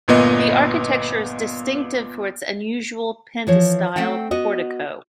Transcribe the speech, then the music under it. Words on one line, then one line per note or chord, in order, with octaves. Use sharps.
The architecture is distinctive for "its unusual pentastyle portico".
G1 A#2 B3 D#5
E3 F3 C#5
A3 C4 E5 F#5 G5
B3 F#4 D#5